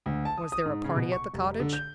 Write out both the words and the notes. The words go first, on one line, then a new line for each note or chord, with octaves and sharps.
"Was there a party at the cottage?"
D2
A5
D#6
D#6
G#2
C#3
B2
C#6
F1
D3
G6